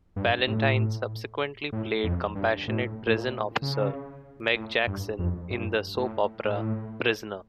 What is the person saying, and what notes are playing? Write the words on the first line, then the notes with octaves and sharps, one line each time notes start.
Ballantyne subsequently played compassionate prison officer, Meg Jackson in the soap opera, "Prisoner".
G2
A2
A2
F2
G2
A2
A2
A#2
C#3
A2
G2
F2
G2
A2
A2